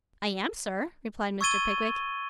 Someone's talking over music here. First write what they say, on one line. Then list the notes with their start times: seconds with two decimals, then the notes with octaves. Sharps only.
'I am, sir,' replied Mr. Pickwick.
1.41 C#6 E6 G#6 A6 D#7 G7